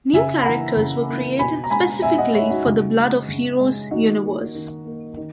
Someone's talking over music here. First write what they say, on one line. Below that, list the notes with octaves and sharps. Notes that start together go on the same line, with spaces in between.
New characters were created specifically for the "Blood of Heroes" universe.
C#3 E5 G#5
B5
E3 A#3 F#5 A#5
C#3
E3 A#3
B2 G#5 B5
A#5
G#3 G#5 B5
B2 E5 G#5
D#5 F#5
G#3 C#5 E5
D#4 F#4
C#3
G#3
C#3
G#3
D#3 D#4 F#4
A#3
D#3
A#3
D#3